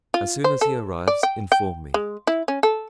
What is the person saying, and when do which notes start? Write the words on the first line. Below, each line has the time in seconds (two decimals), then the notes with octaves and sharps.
As soon as he arrives inform me.
0.14 F4
0.44 C5
0.61 A4
1.08 D5
1.23 G5
1.52 G5
1.94 G#3
2.27 E4
2.48 C#4
2.63 A4